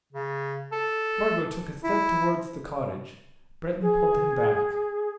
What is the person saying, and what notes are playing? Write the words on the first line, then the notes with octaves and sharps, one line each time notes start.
Spargo took a step towards the cottage: Breton pulled him back.
C#3
A4
E4
G#4